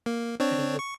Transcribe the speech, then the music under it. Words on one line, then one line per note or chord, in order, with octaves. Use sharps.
how do you
A#3
C4 D4 C#5
C#6